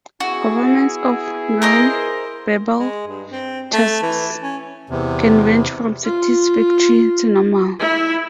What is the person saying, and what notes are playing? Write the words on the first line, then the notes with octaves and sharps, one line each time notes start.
Performance of nonverbal tasks can range from satisfactory to normal.
B3 E4 F#4 G#4
A#4 C5 D#5
G#3
G2
C4
A3
E3
C#4
E2 C3
F4
E4 E5